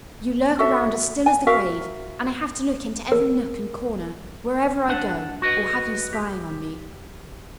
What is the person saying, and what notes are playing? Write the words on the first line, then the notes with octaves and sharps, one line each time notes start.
"You lurk around as still as the grave, and I have to look into every nook and corner, wherever I go, or have you spying on me."
F#4 A4 E5
G#5
F#4 A#4 E5 F5
A#4
D4 F#5
F#4 B4 D#5
G4